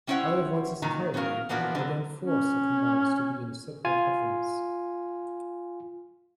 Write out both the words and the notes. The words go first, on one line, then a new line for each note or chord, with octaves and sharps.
I avoid this entirely, but I don't force the commands to be in a separate utterance.
G3 C#4 E4 C5 C#5 F#5
A#2 D#3 F#3
B3 C#4 F#4 A#4 F5
E3 F3 A#3 B3 D4 F#4
D3 F#3
C#4
F4 G#5